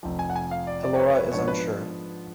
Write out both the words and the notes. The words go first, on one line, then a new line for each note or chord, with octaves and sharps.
Elora is unsure.
F1 F2 F3
G#5
F#5
G#5
F5
D5
D5
C#5
B4
C#5
B4
G#2 F3 B3 D4 C#5
B4